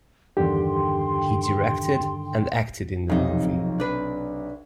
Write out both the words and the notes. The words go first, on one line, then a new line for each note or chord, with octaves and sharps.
He directed and acted in the movie.
E2 G2 D3 D#3 G4 G5 C6
B1 F2 C3 D#4
D4 B4